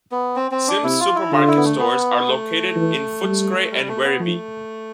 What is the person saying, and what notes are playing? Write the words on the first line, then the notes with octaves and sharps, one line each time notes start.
Sims Supermarket stores are located in Footscray and Werribee.
B3
C4
C4
D4
C3 E4
F4
E4
D3 F4
E4
B3
A3
B3
A3
E3
G3
G3
A3
B3
F3 A3